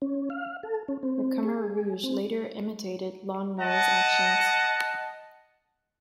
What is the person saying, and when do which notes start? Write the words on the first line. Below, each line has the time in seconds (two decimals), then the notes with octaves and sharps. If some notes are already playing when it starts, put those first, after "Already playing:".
The Khmer Rouge later imitated Lon Nol's actions.
0.02 C#4
0.30 F5
0.63 A4
0.88 C#4
1.03 C4
1.44 G#4
2.03 C4
3.59 D#5 F#5 A5